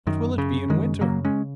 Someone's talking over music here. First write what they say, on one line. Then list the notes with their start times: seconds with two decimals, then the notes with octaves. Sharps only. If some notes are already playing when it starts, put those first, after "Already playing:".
"What will it be in winter?"
0.07 F#2 D#3
0.38 C#3
0.69 F#2 D#3 G#3
1.01 C#3 F#3 A#3
1.25 G#3 C#4